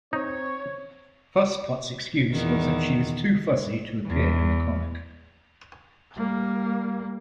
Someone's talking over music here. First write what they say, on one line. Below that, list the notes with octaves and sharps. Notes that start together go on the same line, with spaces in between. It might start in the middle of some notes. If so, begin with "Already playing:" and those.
Fuss Pot's excuse was that she was too fussy to appear in the comic.
C4 D#4 C#5
E2 D#3
E2
G3 A#3